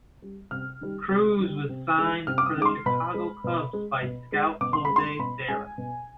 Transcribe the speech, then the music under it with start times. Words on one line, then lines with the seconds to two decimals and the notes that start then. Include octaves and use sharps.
Cruz was signed for the Chicago Cubs by scout Jose Serra.
0.22 G3
0.51 C3 F6
0.81 D#3 G3
1.10 C3
1.39 D#3 G3
1.69 C3
1.98 D#3 G#3
2.27 C3 F6
2.38 D6
2.46 D#6
2.57 D#3 G#3 D6
2.66 C6
2.86 B2 B5
3.14 G#3
3.44 B2
3.73 G#3
4.03 B2
4.32 G#3
4.61 B2 D6
4.73 C6
4.85 G#3 B5
4.96 C6
5.19 B2 B5
5.49 G#3 G#5
5.78 B2